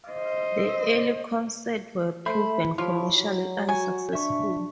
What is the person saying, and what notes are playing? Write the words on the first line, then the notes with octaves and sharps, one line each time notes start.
The early concerts were proven commercially unsuccessful.
C5 D#5
A3 C5 E5 B5 G6
F3 E4 F4 G4 C#5
F#3
F#4 G#5
D4 E5 C#6